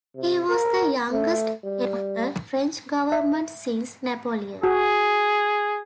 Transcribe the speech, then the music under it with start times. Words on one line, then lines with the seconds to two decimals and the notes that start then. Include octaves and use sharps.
He was the youngest head of a French government since Napoleon.
0.16 C3
0.49 A#4
1.12 A3
1.64 G3
3.12 E5
4.63 F#4 G#4